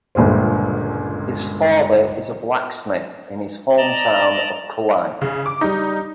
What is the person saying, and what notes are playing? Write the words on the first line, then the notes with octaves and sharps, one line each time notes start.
His father is a blacksmith in his hometown of Kulai.
G1 C#2 A#2 F4 C5
D5 D#5 A5 A#5
C#3
D6
G3 D#4